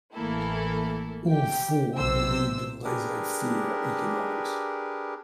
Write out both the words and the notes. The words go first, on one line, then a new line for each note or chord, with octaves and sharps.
All four believed in "laissez faire" economics.
A1 E3 A3 A#3 E4 A4
G4 G5
B1 C3 C5 E6
D4 G4 G#4 A#4 B4